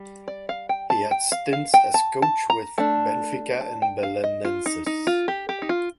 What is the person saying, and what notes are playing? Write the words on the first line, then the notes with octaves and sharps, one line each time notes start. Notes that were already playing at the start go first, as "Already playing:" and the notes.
He had stints as coach with Benfica and Belenenses.
Already playing: G3
D5
F5
G5
A5
G5
F5
F5
G5
A5
A5
A#5
A3 D4 A5
A5
G5
F5
D#5
F4
D#4
D#4
F4
G4
G4
D#4
F4